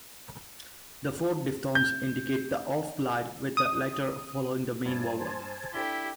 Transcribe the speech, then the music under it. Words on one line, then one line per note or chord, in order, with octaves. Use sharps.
The four diphthongs indicate the offglide with the letter following the main vowel.
G6
D#6
G2 C5 G#5 A5
D4 E4 G4 A4